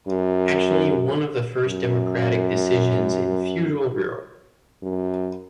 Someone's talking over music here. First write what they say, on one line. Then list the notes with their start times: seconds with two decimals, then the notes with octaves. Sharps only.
Actually one of the first democratic decisions in feudal Europe.
0.08 F#2
1.67 F#2
4.83 F#2